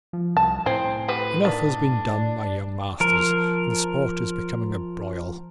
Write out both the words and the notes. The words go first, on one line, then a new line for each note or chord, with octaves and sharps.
"Enough has been done, my young masters, and the sport is becoming a broil."
F3
C2 A5
A2 C4 G#4
G3 C4 F#4 B4
D#3 D4
F3 A#4